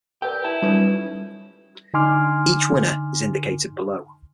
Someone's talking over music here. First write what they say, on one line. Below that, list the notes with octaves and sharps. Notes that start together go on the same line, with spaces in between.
Each winner is indicated below.
G4 A#4 B4 D5 G5
E4 A5
G3 C#4 D#4 F4 A4 B4 C#5
D3 D#4 G#5 C6 D6 F6